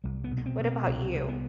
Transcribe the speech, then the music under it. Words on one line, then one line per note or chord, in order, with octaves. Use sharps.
What about you?
C2 G3
B3
B2
B3
C4
B2
C4
C2 C4
C2
B3